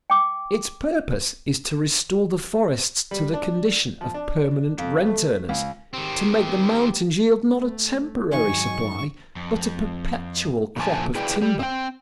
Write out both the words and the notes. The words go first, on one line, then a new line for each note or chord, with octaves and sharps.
Its purpose is to restore the forests to the condition of permanent rent-earners, to make the mountains yield not a temporary supply, but a perpetual crop of timber.
G5 D6
G3
D4
F3
D4
F2
A3
C#2
D#3 C4 G4
A3
G#2 D#3 F#3 D#4 G#5 C#6
F2
A#2 D3 F3 G#5 A5
E4 G#4 B4 D5 G5
G3 G4
C4 G5